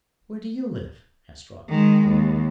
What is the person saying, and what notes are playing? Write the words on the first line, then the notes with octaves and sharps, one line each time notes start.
"Where do you live?" asked Robin.
D#3 G#3
D#2